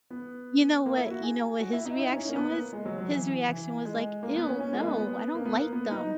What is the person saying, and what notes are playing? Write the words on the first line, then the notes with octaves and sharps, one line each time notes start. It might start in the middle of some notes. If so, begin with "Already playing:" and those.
you know what you know what his reaction was? His reaction was like, "Ew, no, I don't like them."
B3
A#3
E4
F#4
G#4
F#4
E4
D#4
E4
D#4
C#4
A#3
B3
A#3
G#3
F#3
F#3
E3
E3
G#3
A#3
B3
C#4
C#4
G#3
A#3
B3
B3
A#3
B3
A#3
B3
D#4